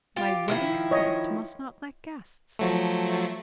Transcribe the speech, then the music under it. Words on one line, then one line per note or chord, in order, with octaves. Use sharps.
My wedding feast must not lack guests.
F4 G4
D#3 F3 E4
C#5 D#5
F3 F#3 A3